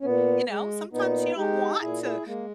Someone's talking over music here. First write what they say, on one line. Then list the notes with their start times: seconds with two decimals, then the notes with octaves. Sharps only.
you know, sometimes you don't want to
0.01 C#4
0.04 A#2 B3
0.49 G#3
0.93 A#2 B3 D#4
1.37 G#3 D#4 G4
1.81 A#2 E4 G#4
2.03 E4 G#4
2.26 G#3 A#3